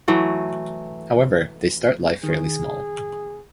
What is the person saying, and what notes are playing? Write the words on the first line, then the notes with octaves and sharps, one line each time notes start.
However, they start life fairly small.
E3 F#3 A3
D#3 G#4